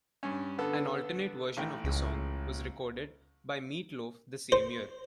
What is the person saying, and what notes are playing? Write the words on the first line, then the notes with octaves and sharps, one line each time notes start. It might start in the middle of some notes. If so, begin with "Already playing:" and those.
An alternate version of the song was recorded by Meat Loaf the same year.
G2 C#4
D3 B3 A4
A1 A2 G5
C#2
C5